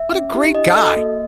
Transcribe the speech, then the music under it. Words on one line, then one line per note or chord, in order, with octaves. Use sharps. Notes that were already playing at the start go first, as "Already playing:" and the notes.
What a great guy.
Already playing: E5
C#4
E4 G4
D4 D#5
F#4 A4
A#3